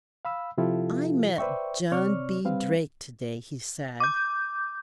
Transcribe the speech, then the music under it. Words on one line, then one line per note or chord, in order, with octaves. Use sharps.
"I met John B. Drake to-day," he said.
F5 B5 E6
C3 F3 E4 F4 G4 A4
B4 C5 D5 E5 G5 C#6
C3 C4 C#5 D5 C#6 F6
G3 C4 B4 F5
D6 G6